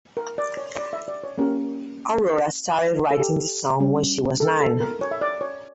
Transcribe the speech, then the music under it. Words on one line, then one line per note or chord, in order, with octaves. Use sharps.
Aurora started writing this song when she was nine.
A#4
D5
C#5
D5
E5
D5
C#5
A#3 C#4 G4 A#4
A4
G4
G3 C#4 G4
A4
A4
A#4
C#5
E5
D5
C#5